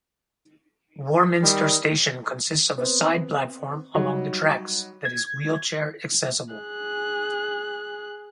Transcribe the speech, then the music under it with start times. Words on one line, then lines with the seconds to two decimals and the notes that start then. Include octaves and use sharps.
Warminster station consists of a side platform along the tracks that is wheelchair accessible.
1.42 D#3 G3
2.78 B3 C4
3.95 F#3 G3 D#4
5.05 G#6
6.54 G#4 F#6